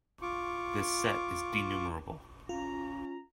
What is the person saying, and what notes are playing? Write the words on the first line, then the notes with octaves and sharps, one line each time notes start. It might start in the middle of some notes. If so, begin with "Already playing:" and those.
This set is denumerable.
F4 C#6 D6
C#4 F4 A#5